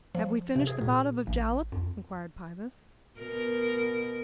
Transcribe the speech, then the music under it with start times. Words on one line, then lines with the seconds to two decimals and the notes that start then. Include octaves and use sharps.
"Have we finished the bottle of jalap?" inquired Pybus.
0.15 F3
0.56 C3
0.67 G#4
0.81 A#2
1.27 A1
1.72 F2
3.20 B2 A#4